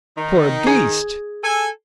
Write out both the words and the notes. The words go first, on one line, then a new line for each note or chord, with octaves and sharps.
"Poor beast!"
D#3 D#4
G#4
A4 G#5